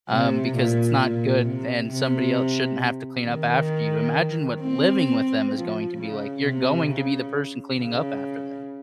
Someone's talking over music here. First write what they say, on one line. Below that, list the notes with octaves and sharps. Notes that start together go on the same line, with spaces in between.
um, because it's not good, and somebody el shouldn't have to clean up after you." Imagine what living with them is going to be like, you're going to be the person cleaning up after them.
C3
A#2
A#2
C3
C3
D#3
C4
F3
C#3
C3
C#3
C#3